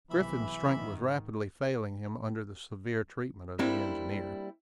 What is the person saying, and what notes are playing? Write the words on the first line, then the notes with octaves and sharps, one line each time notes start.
Griffin's strength was rapidly failing him under the severe treatment of the engineer.
B1 C3 E3 E5 B5
G#2 D#3
G3 A#3 C4 D4 E4